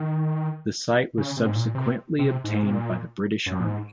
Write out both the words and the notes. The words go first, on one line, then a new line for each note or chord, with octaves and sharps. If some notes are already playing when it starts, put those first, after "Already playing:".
The site was subsequently obtained by the British Army.
Already playing: D#3
C#3
C3
G#2
A#2
C3
C3
G#2
C3
A#2
F#2
A#2
G#2